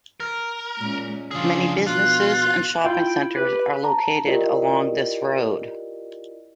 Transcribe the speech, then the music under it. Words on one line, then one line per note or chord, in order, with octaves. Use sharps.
Many businesses and shopping centers are located along this road.
A#4
A#2 G#3 C#4
C#3 F3 D4 F4 G#4
B2 F4 F#6
E4 F4 G5
G4 B4
A5 A#5
E4 F4 G4 A#4 D5 D#5